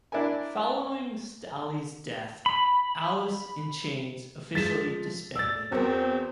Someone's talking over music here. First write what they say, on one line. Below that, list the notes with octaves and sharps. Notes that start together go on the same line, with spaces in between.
Following Staley's death, Alice in Chains officially disbanded.
D4 E4 A#4 G#5
B5
F3 G#3 A6 B6 E7
D5 E6 A6
E2 C4 F#4 A#4